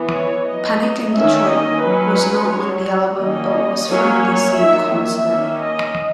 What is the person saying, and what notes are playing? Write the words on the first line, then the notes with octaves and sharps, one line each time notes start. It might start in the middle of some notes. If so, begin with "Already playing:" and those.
"Panic in Detroit" was not on the album but was from the same concert.
Already playing: E3 B3
C#5
F#3 B3 D#5
D#3 A#3 C#4 E5
D#5
F#3 C#4 B4
F#3 C#4 C#5
D#3 A#3 C#4 D#5
F#3 A#3 C#4 C#5
D#3 F#3 A#3 E5
E5
D#3 A#3 C#4
D#5